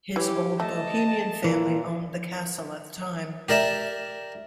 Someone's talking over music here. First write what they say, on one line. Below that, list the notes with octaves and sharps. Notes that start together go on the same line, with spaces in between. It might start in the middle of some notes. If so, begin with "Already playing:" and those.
His old Bohemian family owned the castle at the time.
E3 G4 C#5
A3 D#5 A5
A#2 E3
G4 A#4 D5 E5